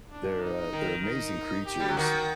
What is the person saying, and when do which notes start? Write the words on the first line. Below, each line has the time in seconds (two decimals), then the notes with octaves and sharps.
They're, uh, they're amazing creatures,
0.11 D4
0.42 D#4
0.73 D#3
1.04 D#4
1.66 G4
1.80 G3
1.88 F#3
1.97 D#3 F#4